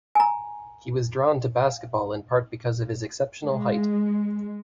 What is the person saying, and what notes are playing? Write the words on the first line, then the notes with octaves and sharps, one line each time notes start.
He was drawn to basketball in part because of his exceptional height.
G#5 A#5
G#3